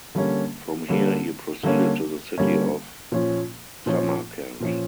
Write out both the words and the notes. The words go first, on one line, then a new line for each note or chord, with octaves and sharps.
From here he proceeded to the city of Samarkand.
D3 G3 A#3 C#4
D3 G3 A#3 C#4
D3 G3 A#3 C#4
D3 G3 A#3 C#4
A#2 F3 C#4
A#2 F3 C#4
A#2 F3 C#4